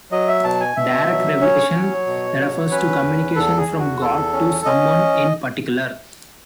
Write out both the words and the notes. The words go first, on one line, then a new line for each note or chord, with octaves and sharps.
Direct revelation refers to communication from God to someone in particular.
F#3 D#5
E5
B2 A5
G#5
B2 E5
F#3
C#4 C#5
F#3
B2
F#3
C#4 B4
E2
E2 A4
G#4
E2
F#4
E2 A4
C#4
C#4 D#5